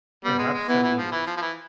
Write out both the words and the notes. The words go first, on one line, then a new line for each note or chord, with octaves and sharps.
Perhaps a minute.
G3 B3
G#3
G#3
E3 B3
E3
F3
E3
F3
F3
E3